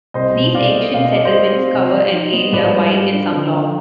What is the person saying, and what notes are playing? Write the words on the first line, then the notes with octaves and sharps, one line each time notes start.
These ancient settlements cover an area wide and some long.
C2 C5 D#5
B2
C2 D5 F5
B3
B2 F5
D#5
G#3 D5
C5 D#5
G4
C4
C3
F3
D#4
B3
G#2 B4 D5
G3
F4
D4
D3
F3